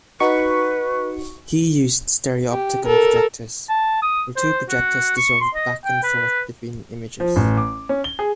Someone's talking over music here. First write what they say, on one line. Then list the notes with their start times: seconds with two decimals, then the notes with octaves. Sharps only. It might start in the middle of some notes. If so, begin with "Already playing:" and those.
He used stereopticon projectors, where two projectors dissolved back and forth between images.
0.20 D#4 F#4 B4 C#6
2.50 G4
2.86 A4 A#4
3.69 A5
4.02 D#6
4.36 C5
4.69 F#4
5.17 C#6
5.41 C6
5.55 D#5
5.84 G5
6.03 B4
7.20 F3
7.36 A1
7.57 D6
7.89 C#4
8.04 G7
8.19 G#4